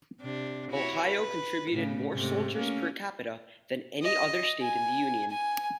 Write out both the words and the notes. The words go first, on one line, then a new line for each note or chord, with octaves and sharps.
Ohio contributed more soldiers per-capita than any other state in the Union.
C3 D4
E4 F#4 C#5
B4
A2 C#3
G#2 C3 A3
A3 A#3 C#4
D#5
G#5
G#5